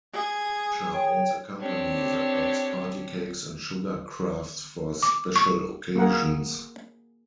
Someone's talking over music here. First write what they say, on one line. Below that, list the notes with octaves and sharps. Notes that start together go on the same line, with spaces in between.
Asher owns a company that makes party cakes and sugar crafts for special occasions.
G#4
C#5 G5
C4 D4 G4 C#5
D6
C#6
A#3 F#4 G#4 A#4 F#5